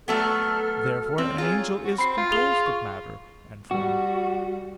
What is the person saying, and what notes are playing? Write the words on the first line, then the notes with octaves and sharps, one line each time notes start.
Therefore an angel is composed of matter and form.
F#3 A3 B3 A4 E6 F6
C4
F4 G#4 C#5 A#5
F#4
C4 B5 C7
F4
G#4 F7 G7
C#6
G3 F#4